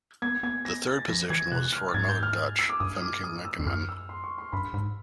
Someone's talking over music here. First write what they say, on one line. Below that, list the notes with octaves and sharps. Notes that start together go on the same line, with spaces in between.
The third position was for another Dutch, Femke Lakenman.
B3 G#6
B3 G#6
A#6
A6
F3 A#6
E3 G#6
C3 F#6
F6
A6
G#2 G#6
G6
F6
E6
D6
G2 D#6
D#6
D6
D#6
E6
F2
F#2 F6
E6
C6
C#6
C6
G2 B5
G#2